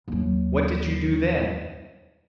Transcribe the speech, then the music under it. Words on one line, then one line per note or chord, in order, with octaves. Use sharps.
"What did you do then?"
D#2 F#3